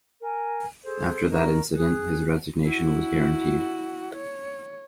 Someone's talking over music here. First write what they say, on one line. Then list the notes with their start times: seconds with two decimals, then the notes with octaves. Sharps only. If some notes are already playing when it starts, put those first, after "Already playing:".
After that incident, his resignation was guaranteed.
0.22 A#4 G#5
0.83 G#4 A4 C5
1.28 D#4 F#4 A#4
1.75 G#4 D#6 F#6
2.66 E4 F#4
4.15 C#5